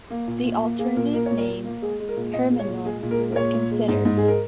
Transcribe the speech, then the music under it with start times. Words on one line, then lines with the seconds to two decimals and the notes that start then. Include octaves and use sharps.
The alternative name 'Herminoir' was considered.
0.10 A#3
0.27 A#2
0.45 A#2
0.62 A#3
0.79 A#3 G#4
0.96 A#2 A#4
1.14 A#3 A#4
1.26 A#2 C#5
1.38 A#4
1.48 A#2
1.65 A#3
1.82 G#3 G#4
2.00 G#3
2.09 A#4
2.17 A#2
2.33 A#2 D#5
2.51 G#3
2.59 C#5
2.67 A#2
2.85 G#3 G#4
3.03 A#2
3.11 A#4
3.19 G#3
3.32 A#4
3.36 A#2 C#5
3.53 A#2
3.71 G#3
3.88 G#2
4.05 G#2
4.17 G#4
4.23 G#3
4.28 A#4